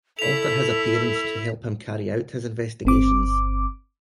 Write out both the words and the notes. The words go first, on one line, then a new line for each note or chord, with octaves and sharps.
Alter his appearance to help him carry out his investigations.
E4 A4 B6 F7
G1 C4 D6